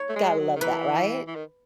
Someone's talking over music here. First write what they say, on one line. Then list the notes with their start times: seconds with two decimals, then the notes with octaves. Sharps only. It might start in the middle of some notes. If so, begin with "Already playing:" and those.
Gotta love that, right?
Already playing: C#5
0.09 A3
0.16 G#3
0.39 F#3
0.55 D#3
0.61 E3 B4
1.27 E3
1.35 D#3